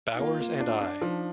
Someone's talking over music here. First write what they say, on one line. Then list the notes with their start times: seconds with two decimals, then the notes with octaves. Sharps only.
Bowers and I.
0.14 D#4
0.19 A#3 F4
0.40 A#3
0.60 D4
0.81 D4
1.01 F3 D#4